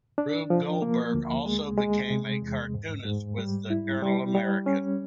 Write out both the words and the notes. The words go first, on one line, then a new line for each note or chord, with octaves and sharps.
Rube Goldberg also became a cartoonist with the "Journal-American".
D4
F3
A#3
D2
G#3
G#3
C3
E2
G#2
G#2
G3
E4
G3
G3
C#4